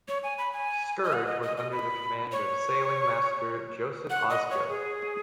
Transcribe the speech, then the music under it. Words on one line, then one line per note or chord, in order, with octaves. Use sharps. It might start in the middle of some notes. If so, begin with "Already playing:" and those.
"Scourge" was under the command of Sailing Master Joseph Osgood.
C#5
G#5
B5
G#5
D#5
F#5
D#5
D#5
D#5
B5
C#5
F#5
D#5
C#5
G#4